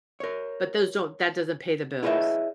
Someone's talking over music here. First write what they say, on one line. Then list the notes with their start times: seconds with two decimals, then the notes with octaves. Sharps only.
but those don't that doesn't pay the bills.
0.20 A#4 C#5
2.03 E4 G#4 B4 C#5 D#5 E5